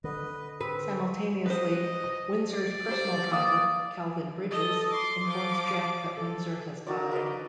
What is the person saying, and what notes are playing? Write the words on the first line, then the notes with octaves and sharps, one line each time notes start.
Simultaneously, Windsor's personal driver, Calvin Bridges, informs Jack that Windsor has died.
D3 B4 D#5
C4 B4
B4 C5 D#5
D5
G4 C5
A#3 F5 D6 D#6
A4 D#5
C6 D6
F3 D6
A4
D#4 F#4 A#4 D5
A#4 B4 D5 D#5